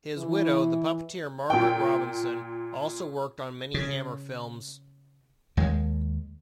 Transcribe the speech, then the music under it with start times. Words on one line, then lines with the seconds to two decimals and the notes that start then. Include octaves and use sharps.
His widow, the puppeteer Margaret Robinson, also worked on many Hammer films.
0.18 E3
1.50 A#2 G5
3.74 C#3
5.57 D#2 G#3